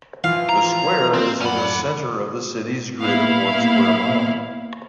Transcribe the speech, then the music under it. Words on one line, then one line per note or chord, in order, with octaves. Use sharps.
The square is in the centre of the city's grid of one square mile.
E3 F3 F4 F5
A#5
C4
F#2 C#4 D5 F#5 B5
A#2 B3 E4 F5